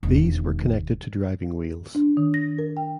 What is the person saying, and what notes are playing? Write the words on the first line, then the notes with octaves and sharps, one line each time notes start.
These were connected to driving wheels.
E1 D#2
D4
D#3
A#6
A#4
G5